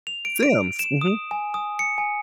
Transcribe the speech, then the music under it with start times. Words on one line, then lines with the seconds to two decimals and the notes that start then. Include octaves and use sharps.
Sims, mhm.
0.07 F7
0.25 D7
0.43 D7
0.79 E7
1.01 D#6
1.31 G#5
1.54 D#6
1.79 C#7
1.98 G#5